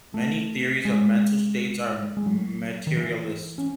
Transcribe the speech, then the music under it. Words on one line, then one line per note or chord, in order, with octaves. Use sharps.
Many theories of mental states are materialist.
A3
G#3
G#3
F#3
D#3
E3
C#4